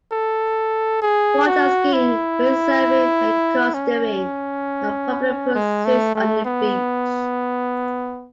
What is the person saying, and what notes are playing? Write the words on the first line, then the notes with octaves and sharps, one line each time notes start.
Water-skiing, windsurfing and coasteering are popular pursuits on the beach.
A4
G#4
F#4
E4
C#4
G#3
A3
A3
B3